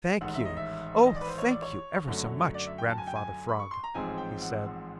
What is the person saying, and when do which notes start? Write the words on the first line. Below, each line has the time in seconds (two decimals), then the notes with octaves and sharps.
"Thank you, oh, thank you ever so much, Grandfather Frog," he said.
0.21 A1 G#2 D#3 F#5
0.34 E5
0.45 D#5
0.57 E5
1.06 D#5
1.15 D5
1.21 B4
1.27 C5
1.38 C#5
1.50 D5
1.62 C#5
2.08 F#2 D3 F#3 A3
2.54 D5
2.66 E5
2.78 G5
2.90 A5
2.98 G#5
3.07 G5
3.16 G#5
3.48 B5
3.59 C#6
3.71 C6
3.84 A#5
3.94 A1 G#2 F3 G#3 C4 G#5
4.18 G5
4.42 F#5